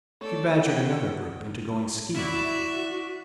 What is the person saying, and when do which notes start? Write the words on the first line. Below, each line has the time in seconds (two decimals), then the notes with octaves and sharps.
She badgered another group into going skiing.
0.21 A3 A4 C#5 D5
0.60 F#5 G5
2.15 E4 F#4 D5 E5